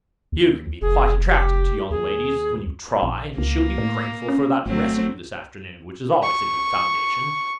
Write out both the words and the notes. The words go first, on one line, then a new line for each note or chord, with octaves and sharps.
You can be quite attractive to young ladies, when you try, and she'll be grateful for that rescue this afternoon, which is always a good foundation.
D#2
F1 G#4
G4
D#2 G#4
A#1
C#2 A#3
A2
C#4
G#1 F#3 A3 C4
C#6